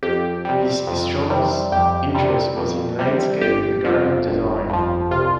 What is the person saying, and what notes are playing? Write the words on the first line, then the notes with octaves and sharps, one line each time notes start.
His strongest interest was in landscape and garden design.
F2 G4
C3 G3
F2
C3 G3
F2 G4
C3 G3
F2
C3 G3
G1 G4
F2 F3
G1
F2 F3
C2 F4